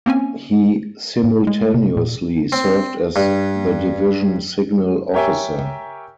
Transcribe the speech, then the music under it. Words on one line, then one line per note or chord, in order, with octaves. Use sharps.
He simultaneously served as the Division Signal Officer.
A#3 C4 C#4 G#5
A2
G#3
C3
A#2
C4
G2
G4 A#4 C#5 E5 G5 G#5